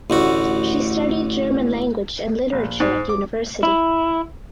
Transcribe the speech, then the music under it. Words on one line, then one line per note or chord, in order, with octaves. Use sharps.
She studied German language and literature at university.
A1 D2 F#4
A#1
G#2
D6
E4